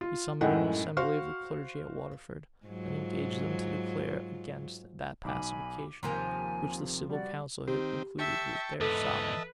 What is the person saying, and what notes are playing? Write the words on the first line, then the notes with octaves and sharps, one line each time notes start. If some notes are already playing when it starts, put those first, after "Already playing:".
He summoned an assembly of the clergy at Waterford, and engaged them to declare against that pacification which the civil council had concluded with their sovereign.
F4
F#2 A2 G#3 D#4 F#5 G5
F#4 C5 F5 C6 C#6 F6
G#2 F#3 F4
B1 D#4 G#5 B5 D6
D#2 C3 F3 A#3 G#5 A#5 C6
G3 F#4 D5
D#3 C4 G4
E5 G5 A5 C#6
E2 G#2 A4 B4 D#5 E5 A5